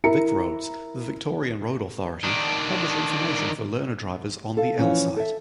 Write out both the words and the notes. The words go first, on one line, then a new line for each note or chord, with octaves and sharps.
VicRoads, the Victorian road authority, publish information for learner drivers on the L-Site.
E4 A#4 A#5 C#7
D#3 D4
A4 F5
E3 F3 C#4
A4 E5